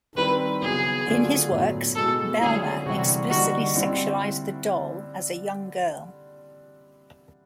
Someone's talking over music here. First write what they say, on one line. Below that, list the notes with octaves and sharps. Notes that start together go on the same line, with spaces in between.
In his works, Bellmer explicitly sexualized the doll as a young girl.
D#3 G3 C4 E4 B4
C#3 F#3 B3 G#4
D3 F#3 A3 D4 F4
A2 F#3 B3
B2 G#3 B3 A4
D3 F#3 A3 C#4 E4 G#4
C3 E3 G3 F#4
D3 G3 A#3 D#4 F#4
D3 G3 C4 E4